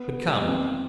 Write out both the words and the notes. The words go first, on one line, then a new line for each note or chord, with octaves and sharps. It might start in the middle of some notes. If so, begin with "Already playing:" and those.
But come!
Already playing: B3
B2
G3
G#3
B3
F2 D#3 C4